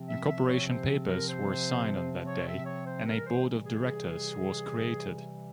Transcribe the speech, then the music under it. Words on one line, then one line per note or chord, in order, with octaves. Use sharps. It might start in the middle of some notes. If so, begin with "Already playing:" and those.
Incorporation papers were signed on that day and a board of directors was created.
Already playing: C3 F3 C4
E5
E5
C#5
C5
A#4
C5
C#5
E5
C#5
C5
C3 E3 G3 A#4
C5
G#4
G#4